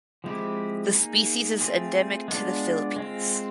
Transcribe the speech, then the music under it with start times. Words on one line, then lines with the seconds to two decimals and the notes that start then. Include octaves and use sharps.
The species is endemic to the Philippines.
0.24 F3 G#3 C4 E4 G4
0.92 A#3 D#4 G#4
1.61 A3 C4 F4 G#4
2.28 G#3 B3 D4 F4
2.96 G#3 C4 F4